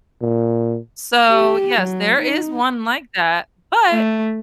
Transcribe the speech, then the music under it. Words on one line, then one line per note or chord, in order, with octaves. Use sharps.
So, yes, there is one like that, but
A#2
G4
F#3
D#4
A3